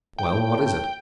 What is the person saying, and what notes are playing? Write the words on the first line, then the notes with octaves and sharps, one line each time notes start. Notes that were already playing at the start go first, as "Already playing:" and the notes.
"Well, what is it?"
A2 G5